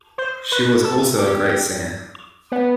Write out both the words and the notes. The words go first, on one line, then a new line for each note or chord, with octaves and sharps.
She was also a great singer.
C5
B4
A4
G4
B3